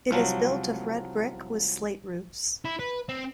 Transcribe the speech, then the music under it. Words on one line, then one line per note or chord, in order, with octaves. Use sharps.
It is built of red brick with slate roofs.
C2 F3 F#3
E4
B4
C4